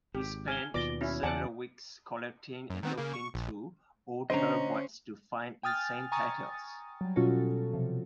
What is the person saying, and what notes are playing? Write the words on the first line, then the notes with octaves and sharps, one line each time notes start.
He spent several weeks collecting and looking through old tabloids to find inane titles.
G#1 G4
G#5 F6 G#6 G7
D#2 B2 B3 F4 D5 D6 A#6 G7
C#4 E4 F#4
E2 C#3 D5 F#5 G#5 A5
F#2
D#3 B3 C4
C#3 A#3
C#6
A#1
D3 C#4 C5 D#5 A#5
G5 G#5 D#6 F6 A6
G#5 A#5 C#6 D#6 A6
F#3 G3
B2 C#4 F4 F#4 A4
C3 F3